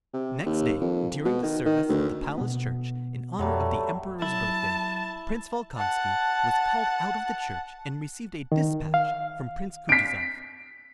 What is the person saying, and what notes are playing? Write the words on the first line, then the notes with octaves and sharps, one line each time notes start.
Next day during the service at the palace church in honor of the Emperor's birthday, Prince Volkonski was called out of the church and received a dispatch from Prince Kutuzov.
C3
D#2
F2
B2
D#3
D#3
D2
B2 B3
F2 F#3 G3 A3
F#3 E4 A5
F#5 A5
D#3
F5
B6 D7